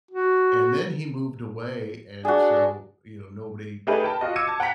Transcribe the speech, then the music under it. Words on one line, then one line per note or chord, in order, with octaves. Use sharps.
and then he moved away, and so, you know, nobody
F#4
D4 F#4 G#4
A3 D#4 G4 G#4 B4
A#4 G5 A5 B5
F4 F#4 D#5
D6 E6 G#6 C#7 D#7
A5 G#6
F#5 G5 A5 A#5 B6